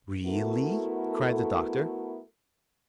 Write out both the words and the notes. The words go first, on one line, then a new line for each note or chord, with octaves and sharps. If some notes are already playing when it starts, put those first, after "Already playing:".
"Really?" cried the Doctor.
A3 B3 E4 F#4 A4 A#4